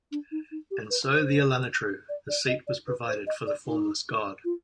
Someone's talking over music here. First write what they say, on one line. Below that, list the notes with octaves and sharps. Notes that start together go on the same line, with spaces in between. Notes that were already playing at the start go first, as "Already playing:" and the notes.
And so the Elunetru, the seat was provided for the Formless God.
D4
D#4
D#4
G4
B4
C5
D5
D5
D#5
D5
B4
C5
D#5
D5
D#4
F4